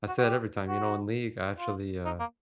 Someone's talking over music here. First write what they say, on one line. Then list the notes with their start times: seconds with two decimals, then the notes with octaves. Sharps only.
I say it every time, you know, in League, I actually, uh,
0.08 F#4
0.19 F#4
0.23 G4
0.68 F#4
1.59 F4
2.05 D#4
2.20 A#3